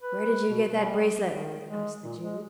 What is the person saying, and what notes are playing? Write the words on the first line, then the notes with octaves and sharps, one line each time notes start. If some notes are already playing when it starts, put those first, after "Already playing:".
'Where did you get that bracelet?' asked the Jew.
B4
B2
G3
D#3
G#3
A#2
G#3